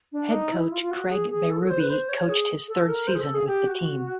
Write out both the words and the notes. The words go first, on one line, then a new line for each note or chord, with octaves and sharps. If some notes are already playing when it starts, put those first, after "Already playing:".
Head coach Craig Berube coached his third season with the team.
D4
D#4
E4
F4
F4
F#4
G#4
G#4
A4
A4
C#5
C5
B4
C5
C#5
G#4
A4
A#4
C5
G#4
A4
G#4
G4
F#4